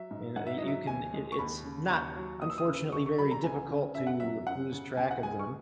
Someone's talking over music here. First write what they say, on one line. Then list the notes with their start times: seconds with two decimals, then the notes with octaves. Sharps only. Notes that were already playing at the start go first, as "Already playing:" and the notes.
you kn you can it it's not, unfortunately, very difficult to lose track of them.
Already playing: F#3 E5
0.11 G#2
0.36 G#2 F#5
0.47 E5
0.58 F#3 D#5
0.68 E5
0.87 D#2 G#5
1.14 G#3
1.32 C#6
1.39 D#2 B5
1.64 C#3
1.90 D#2 C#6
2.16 F#3
2.42 D#2 D#6
2.50 E6
2.58 D#6
2.67 C#3
2.92 C#2 C#6
3.06 C#6
3.18 F#3 B5
3.31 A#5
3.44 C#2 G#5
3.69 C#3
3.95 F#2 E5
4.07 F#5
4.20 F#3 E5
4.47 F#2 F#5
4.72 C#3
4.97 C#2 G#5
5.11 F#5
5.23 G#3 G#5
5.39 C#6